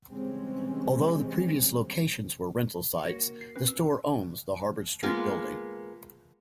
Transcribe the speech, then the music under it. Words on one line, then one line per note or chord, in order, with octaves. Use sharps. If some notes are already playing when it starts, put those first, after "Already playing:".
Although the previous locations were rental sites, the store owns the Harbord Street building.
C#3 E3 G3 G#3 C4 C#4
A#3 F#4 C#5 A#6 C#7
C7
C4 C#4 B4
E6
G#3 A#3 B3 F4